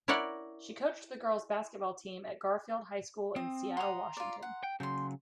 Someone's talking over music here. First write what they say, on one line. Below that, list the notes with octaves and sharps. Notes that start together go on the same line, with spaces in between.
She coached the girls' basketball team at Garfield High School in Seattle, Washington.
E4 A#4 C#5 D5 F#5
C4 D#6
F#5 A#5 C6 D#6
F4 D5
F#5
G5
C#3 F#3 G5 C6